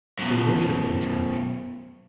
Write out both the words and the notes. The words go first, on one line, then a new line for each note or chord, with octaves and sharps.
They worship their church.
F#2 B2